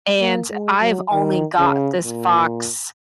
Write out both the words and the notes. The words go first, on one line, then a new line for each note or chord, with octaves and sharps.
and I've only got this fox
A#3
G#3
F#3
D#3
C#3
A#2